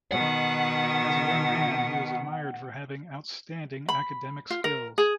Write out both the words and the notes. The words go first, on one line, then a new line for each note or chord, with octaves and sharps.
As a young man he was admired for having outstanding academic skills.
B2 D#3 F#5
B5
F4
A#4
G#4